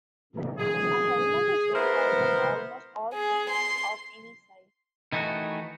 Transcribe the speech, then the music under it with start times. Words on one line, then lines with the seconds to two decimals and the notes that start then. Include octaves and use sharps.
A helmet is required on almost all courses of any size.
0.59 G#4
1.73 B3 E4 A#4 C5
3.14 G#4
3.50 C6
5.12 D#3 E3 A3 D#4 F#4